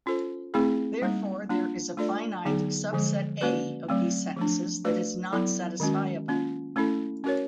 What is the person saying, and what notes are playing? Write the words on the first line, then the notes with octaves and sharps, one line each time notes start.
Therefore, there is a finite subset "A" of these sentences that is not satisfiable.
C#4 F4 A4 C5
A3 C4 E4 G#4
G3 A#3 D#4
A#3 D4 F4
A3 D4 F4 A4 D5
D3 F#3 B3 D#4 G#4
D3 F3 G#3
A#3 C#4 F#4 B4 D5
F#3 A3 C4
F3 A3 D4
A3 D4 F#4 B4 D5
F#3 B3 E4 A4
D#3 G#3 C#4 F#4
A#3 C#4 F4
A3 C#4 E4 A4
C#4 F#4 A#4 C#5